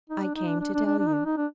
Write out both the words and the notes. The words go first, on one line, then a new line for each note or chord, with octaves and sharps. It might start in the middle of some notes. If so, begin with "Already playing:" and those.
"I came to tell you."
D#4
D4
D#4
D4
D4
D4
D4
D4
D#4
D4
D#4
D4